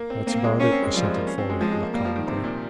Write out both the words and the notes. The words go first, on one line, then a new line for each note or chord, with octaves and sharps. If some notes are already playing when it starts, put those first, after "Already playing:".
"That's about it," assented Folliot laconically.
Already playing: A#3
C4
A#3 C4
G#3
A#3 C#4
C4
G#3
F3 G3
G#3
A#3
C#4
C4
G#3
F3 G#3
G#3
A#3
G3 A#3
F3
D#3
C3 C4
A#2